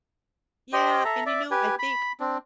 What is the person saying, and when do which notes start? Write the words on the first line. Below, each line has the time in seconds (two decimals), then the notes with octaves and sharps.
Yeah, and, you know, I think,
0.73 G4 C5 D#5 G5
1.05 A4 E5 A#5
1.26 D5 E5
1.51 G4 B4 G#5
1.79 B5
2.20 C4 D4